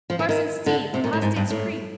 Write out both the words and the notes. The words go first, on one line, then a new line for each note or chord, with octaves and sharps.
Parson Steve, apostates' creed!
F3
E3
D#3
D3
C3
A#2
A2
G#2
G2
A2